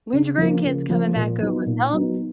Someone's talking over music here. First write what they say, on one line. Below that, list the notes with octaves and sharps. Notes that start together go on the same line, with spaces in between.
when's your grandkids coming back over? Tell 'em
C#3
F3 A#3
C#3
F3 A#3
A#2
F#3 B3 D#4
A#2
F#3 B3 D#4